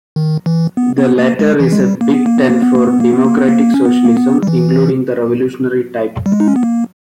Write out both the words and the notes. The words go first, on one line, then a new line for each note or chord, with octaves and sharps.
The latter is a big tent for Democratic Socialism, including the Revolutionary type.
D#3
E3
B3
B3
A#3
G#3
E3
G#3
G3
A#3
B3
A#3
B3
A#3
B3
A#3
B3
A#3
B3
A#3
B3
A#3
C#4
B3
A#3
B3
G3
E3
G3
G#3
D#4
C#4
B3
A#3